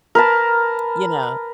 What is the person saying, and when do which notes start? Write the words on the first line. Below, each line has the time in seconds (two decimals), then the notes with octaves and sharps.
you know,
0.15 A#4 B4 A5